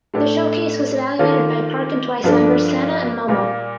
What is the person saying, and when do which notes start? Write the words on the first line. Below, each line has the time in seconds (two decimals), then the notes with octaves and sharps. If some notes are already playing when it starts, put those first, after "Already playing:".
The showcase was evaluated by Park and Twice members Sana and Momo.
0.14 A2 A3 D4 G4
1.19 D#3 A#3 F4 A4
2.24 G2 F3 A#3 D4 A4
3.28 A#2 G3 A#3